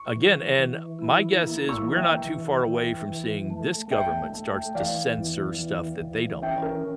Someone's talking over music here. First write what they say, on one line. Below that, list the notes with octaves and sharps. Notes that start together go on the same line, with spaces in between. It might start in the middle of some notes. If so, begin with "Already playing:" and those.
again and my guess is we're not too far away from seeing this government starts to censor stuff that they don't like.
Already playing: C#6
E3
E3
E4
A#3
C#6 E6
E3
E5 G5
E3
E3
E3
A3
A3 E5 G5
A3
E3 D5 F5
E2
E3
E3
C#4 E5 G5
A#4